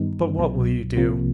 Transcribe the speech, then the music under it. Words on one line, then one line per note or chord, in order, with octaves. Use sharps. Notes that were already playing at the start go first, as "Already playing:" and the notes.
"But what will you do?"
Already playing: G2 D#3 G3 B3 D#4
C2 B2 F#3
C2 C3 F3 A#3